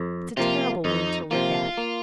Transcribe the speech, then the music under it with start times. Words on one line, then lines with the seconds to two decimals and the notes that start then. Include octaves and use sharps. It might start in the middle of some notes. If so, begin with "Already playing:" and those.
"It's a terrible wound to look at."
Already playing: F2
0.37 C3 F3 A#3 F4
0.85 F2 D#4
1.31 C3 F3 A#3 F4
1.77 A#3